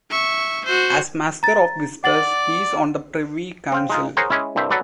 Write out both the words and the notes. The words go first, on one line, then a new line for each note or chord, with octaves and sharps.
As Master of Whisperers he is on the privy council.
E5 C#6
F#4 C5
A#5 A6
D5 F#5 A6 F#7
C4 F5 G5
G#3 D#4 F4
G#4 A#4 C5 C#5 F#5 A#5
G#3 C#4 E4
C2 G2 C5 E5
F#3 A4 B4 D5